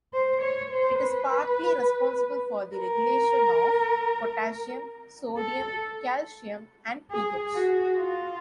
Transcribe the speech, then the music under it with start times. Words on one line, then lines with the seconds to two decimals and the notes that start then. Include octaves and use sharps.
It is partly responsible for the regulation of potassium, sodium, calcium, and pH.
0.13 C5
0.42 C#5
0.72 C5
1.01 B4
2.75 A#4
5.37 A4
7.11 G#4
7.55 F#4
7.98 F4